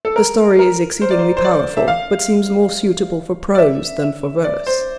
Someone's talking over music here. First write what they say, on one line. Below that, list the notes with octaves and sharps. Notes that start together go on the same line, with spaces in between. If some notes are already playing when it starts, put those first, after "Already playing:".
The story is exceedingly powerful, but seems more suitable for prose than for verse.
A4
A#4
A#4
C5
D5
C5
C5
D5
E5
F5
D5
E5
E5
D5
C5